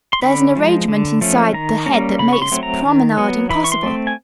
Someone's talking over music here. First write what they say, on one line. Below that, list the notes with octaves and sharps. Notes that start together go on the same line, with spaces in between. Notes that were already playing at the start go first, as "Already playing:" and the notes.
There is an arrangement inside the head that makes promenading possible.
C6
D3 B5
F3 G#3
D3
F3 A3 C#4
D#3 A#5
G3 A#3 C#4 A#5
C#3 B5
C#6
C6
F#3 A3 C4
A#5
D#3
F#3 B3
E3 B5
C#6
C6
A3 C4
G#5